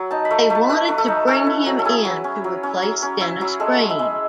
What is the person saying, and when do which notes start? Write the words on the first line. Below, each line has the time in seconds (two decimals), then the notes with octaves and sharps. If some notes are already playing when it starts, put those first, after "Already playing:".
They wanted to bring him in to replace Dennis Green.
Already playing: F#3
0.11 D#4 A5
0.25 B5
0.31 A3
0.40 B5
0.50 A3
0.55 A5
0.69 A3 B4
0.88 A3
0.98 A4
1.08 D#4
1.27 C#4 A4
1.47 E4
1.66 F#3
1.79 A4
1.85 E4 G#4
2.05 F#3
2.24 C#4
2.44 F#3
2.63 C#4
2.83 F#3
3.02 C#4
3.21 E4
3.41 F#3
3.60 G#3 A4
3.80 G#3
3.90 E5
3.99 G#3